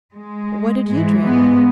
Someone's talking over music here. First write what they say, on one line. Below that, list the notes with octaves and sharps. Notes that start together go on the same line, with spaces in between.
'What did you dream?'
G#3
G#2 E3 G#3
G#3 B3